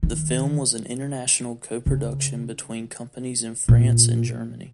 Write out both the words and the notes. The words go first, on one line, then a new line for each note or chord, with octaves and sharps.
The film was an international co-production between companies in France and Germany.
D#3
C#3
A#2